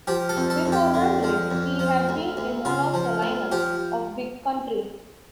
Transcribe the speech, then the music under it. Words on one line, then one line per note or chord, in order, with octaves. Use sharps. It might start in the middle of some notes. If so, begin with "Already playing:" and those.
Before Runrig, he had been in one of the lineups of Big Country.
F3 G4
A4
F2
A4
F2
G4
D3
F3
F2
F3
D2
D2
C#3 F4
F3
D2
F3 G4